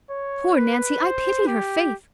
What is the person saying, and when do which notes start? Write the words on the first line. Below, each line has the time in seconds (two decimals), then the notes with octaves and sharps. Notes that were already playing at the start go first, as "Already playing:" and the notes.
Poor Nancy, I pity her, faith!
0.10 C#5
0.55 B4
1.02 C5
1.47 G4